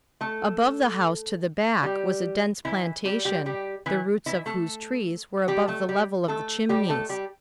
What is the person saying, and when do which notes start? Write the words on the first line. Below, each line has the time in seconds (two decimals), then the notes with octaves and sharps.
Above the house to the back was a dense plantation, the roots of whose trees were above the level of the chimneys.
0.21 A3 A4
1.83 G3 G4
2.65 E3 E4
3.05 G3 G4
3.25 G3 G4
3.46 G3 G4
3.86 E3 E4
4.26 E3 E4
4.46 A3 A4
5.48 G3 G4
5.68 A3 A4
5.89 G3 G4
6.28 A3 A4
6.69 G3 G4
6.89 A3 A4
7.09 G3 G4